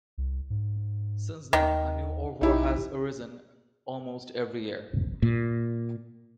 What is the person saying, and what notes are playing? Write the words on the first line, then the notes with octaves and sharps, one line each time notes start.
Since then, a new ouvroir has arisen almost every year.
C2
G#2
D#2 D#3
B1 D#4 E4 G4
A#2